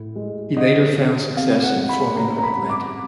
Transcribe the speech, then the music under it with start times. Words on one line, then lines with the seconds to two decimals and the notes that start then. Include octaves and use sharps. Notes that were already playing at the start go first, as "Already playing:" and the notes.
He later found success in Formula Atlantic.
Already playing: A2
0.16 G#3
0.57 D3 D#5
0.96 B3
1.36 C3 F5
1.64 F#5
1.76 G#3
1.89 B5
2.16 C#3 A#5
2.38 A#5
2.43 B5
2.56 G3
2.70 D6